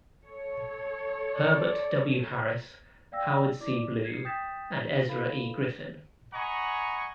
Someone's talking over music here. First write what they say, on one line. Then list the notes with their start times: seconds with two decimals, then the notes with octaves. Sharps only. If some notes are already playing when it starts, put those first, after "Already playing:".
Herbert W. Harris, Howard C. Blue and Ezra E. Griffith.
0.23 A4 C#5
1.35 D5
3.12 D5 F5 G5 E6 A#6
3.60 E4 D5 D6
4.04 G#6 C7 C#7
4.25 G5 D#6 G6 A6 B6 E7
4.73 B6
5.08 E4 A4 B4 F5 B5
6.33 D#5 F#5 G#5 A#5 B5 C#6